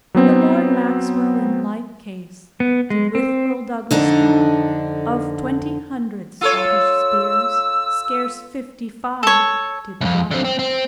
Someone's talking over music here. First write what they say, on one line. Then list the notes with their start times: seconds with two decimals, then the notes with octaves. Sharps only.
And the Lord Maxwell in like case Did with Erle Douglas dye; Of twenty hundred Scottish speres, Scarce fifty-five did flye.
0.15 F#3 B3 C4
2.60 B3
2.90 G#3
3.15 C4
3.91 F2 D3 D4 D#4
6.41 F4 A4 C#5 E6
9.23 A4 C#5
10.01 C2 F2
10.31 D3 C4
10.45 C4
10.59 C4